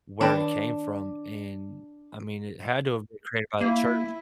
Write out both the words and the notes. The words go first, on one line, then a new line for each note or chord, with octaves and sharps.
where it came from. And, I mean, it had to have been created by the church.
D#3 D4 G5 A5
A#3 E4